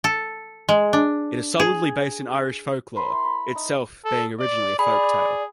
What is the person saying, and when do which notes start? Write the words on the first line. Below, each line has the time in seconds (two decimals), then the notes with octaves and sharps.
It is solidly based in Irish folklore, itself being originally a folktale.
0.04 A4
0.69 G#3
0.93 D4
1.60 G#4
2.95 A#4 C5 B5 C6
3.09 E4
3.25 B5
3.55 D#4
4.05 A4
4.40 D5
4.79 G#4 D5 B5